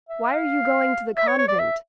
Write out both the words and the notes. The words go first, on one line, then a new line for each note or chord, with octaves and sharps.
"Why are you going to the convent?"
E5
F5
E5
C#5
C#5
D5
E5